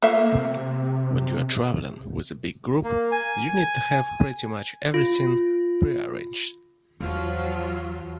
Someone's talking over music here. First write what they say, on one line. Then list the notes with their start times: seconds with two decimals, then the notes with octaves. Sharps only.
When you are traveling with a big group, you need to have pretty much everything prearranged.
0.02 A3 A#3 F4 E5
0.33 C3
2.84 A#3
3.12 G#5
4.94 F4
7.01 E2 F3 F#3 F4